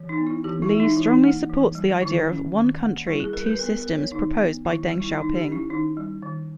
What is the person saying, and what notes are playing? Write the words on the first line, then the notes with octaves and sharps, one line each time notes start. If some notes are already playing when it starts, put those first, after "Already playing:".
Li strongly supports the idea of "One country, two systems" proposed by Deng Xiaoping.
Already playing: E3
D#4
B3
E4
E3 G4
E4
G#3
D#4
E3 E4
D#4
A#3
E3
G3
D#3 E4
C#4
D#3
A#3
G3 E4
G#4
G3 A#4
B4
B3 A#4
A#4
B3
C#5
D#3 D#4
B3
D#3 E4
G3
E4
D#3 D#4
G4
C#4
E4
D#3 D#4
G3
D#3